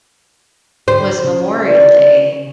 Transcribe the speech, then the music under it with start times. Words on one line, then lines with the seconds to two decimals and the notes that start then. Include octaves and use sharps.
was Memorial Day
0.88 D3 G4 C5
1.24 C#3
1.66 D5